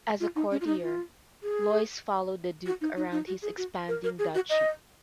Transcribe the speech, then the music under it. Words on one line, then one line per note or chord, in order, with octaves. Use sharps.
As a courtier Loys followed the Duke around his expanding duchy.
F4
D#4
C#4
F4
D#4
F4
G#4
F#4
D#4
D#4
D#4
F#4
G#4
F#4
A#4
A#4
G#4
F#4
D#5